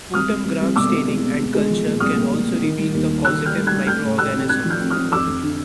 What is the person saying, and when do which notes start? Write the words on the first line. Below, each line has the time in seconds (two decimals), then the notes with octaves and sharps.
Sputum Gram staining and culture can also reveal the causative microorganism.
0.14 C2 D#6 F6
0.29 C2
0.45 C2
0.61 C2
0.76 B2 D6 E6
0.92 C2
1.08 G#3
1.24 B2
1.38 G#3
1.54 G#3
1.70 F3
1.85 A#2
2.00 C2 D#6 F6
2.17 A#2
2.32 G#3
2.48 C2
2.63 D#3
2.78 G3
2.95 D#2
3.10 D#2
3.25 D#2 E6 F#6
3.40 D#3
3.45 F6 G6
3.56 G3
3.67 F#6 G#6
3.72 G3
3.87 A3 F6 G6
4.02 A2
4.18 A2 E6 F#6
4.33 C4
4.49 C4 F#6 G#6
4.65 F3
4.70 F6 G6
4.81 C4
4.90 D#6 F6
4.96 C4
5.12 F2 D6 E6
5.27 F2
5.42 D3